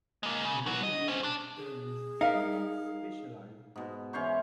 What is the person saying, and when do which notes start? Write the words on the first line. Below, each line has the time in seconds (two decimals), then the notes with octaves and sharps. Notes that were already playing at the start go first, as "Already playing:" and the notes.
The legal use of the term is somewhat specialized.
0.23 G#3 A#3
0.45 C#3
0.66 F#3 B3
0.83 D#5
1.08 C#4 C5
1.24 D4
1.57 G#4
2.21 D#4 A#4 E5 F5
3.76 G#2 B2
4.13 E3 C#4 C5 C#6